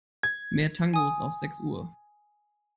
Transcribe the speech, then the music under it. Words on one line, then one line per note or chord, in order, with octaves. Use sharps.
Mehr Tangos auf sechs Uhr.
G#6
G#5 D#6